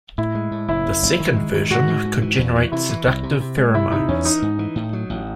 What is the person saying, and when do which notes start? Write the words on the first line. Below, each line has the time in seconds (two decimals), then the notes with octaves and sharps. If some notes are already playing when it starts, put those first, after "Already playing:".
The second version could generate seductive pheromones.
0.18 A2 E4
0.35 G#3
0.52 A2
0.68 F#1 E4
0.86 F#1
1.03 F#1
1.20 D#3
1.36 G#3
1.54 D#3
1.70 G#2 F#4
1.88 G#2
2.05 G#2
2.22 E3
2.39 E2
2.56 E3
2.72 C3 E4
2.89 E3
3.06 C2
3.23 C3
3.40 C3
3.57 G#3
3.74 C3 E4
3.91 C3 D#4
4.08 E2 C#4
4.25 E3 D#4
4.42 G#2
4.59 E3
4.76 A2
4.93 F#3
5.10 A1